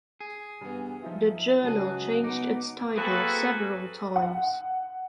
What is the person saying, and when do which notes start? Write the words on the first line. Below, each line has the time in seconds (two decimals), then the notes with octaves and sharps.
The journal changed its title several times.
0.20 G#4
0.61 G2 E3 B3
1.03 F3 D#4 F4 E5
1.63 C#2 F#3 F#4 G#4 A5 F#6
2.24 B3 D#4 D6
2.96 A#3 C4 F#4 G#4 A4 B4
4.16 F#5